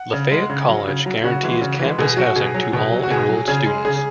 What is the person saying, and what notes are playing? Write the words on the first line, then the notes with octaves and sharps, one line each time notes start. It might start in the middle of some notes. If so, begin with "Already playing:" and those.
Lafayette College guarantees campus housing to all enrolled students.
Already playing: F#5
C#3
G#3
C#3
F#3
C#3
F#3
C#3 F#4
E3 G#3
C#3
E3
G#3
B2 G#4
F#3 F#4
B2 G#4
F#3
B2
F#3
F#4
B2 G#4
F#3
C#3 G#4
G#3
C#3 G#4